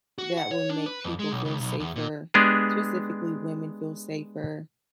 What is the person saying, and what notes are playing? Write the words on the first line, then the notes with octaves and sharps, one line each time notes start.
that will make people feel safer, specifically women feel safer,
F#4
F#5
C#5
D4
B4
F2
G#3
B1
C#2
B1
E2
A#2
G#3 B3 D4 G4 G#4